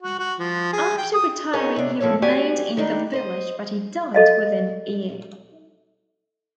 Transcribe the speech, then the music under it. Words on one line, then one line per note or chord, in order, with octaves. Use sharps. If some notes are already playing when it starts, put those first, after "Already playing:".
After retiring he remained in the village but he died within a year.
F#4
F#4
F3
G#4
G5
D#6
C#4 D#4 F#4 G#4 A#4 C#5
C3 D4
D3 F3 A3 A4 C#5
C4 F#4 G4 D5 G#5
D#3 G3 D4 D#4
C5 D#5
A4 D#5 F5